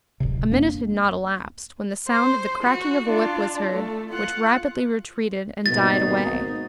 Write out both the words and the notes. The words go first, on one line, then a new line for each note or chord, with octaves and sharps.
A minute had not elapsed, when the sound of the cracking of a whip was heard, which rapidly retreated and died away.
D1 G1 C3
F2 A#3 D4
C5
F#4
D4 F4
A3
F4 F#5
G#1 B2 A#3 D#4 A6